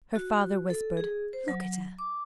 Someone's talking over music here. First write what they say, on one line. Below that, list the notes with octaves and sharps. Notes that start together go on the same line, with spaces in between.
Her father whispered, "Look at her!"
F#4
A4
G#4
C5
F#3
D6